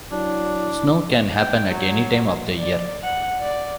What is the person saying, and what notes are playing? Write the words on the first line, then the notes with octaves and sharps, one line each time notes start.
Snow can happen at any time of the year.
F#3 D4 E4 D5
G5
F#3
D5
F#5
D5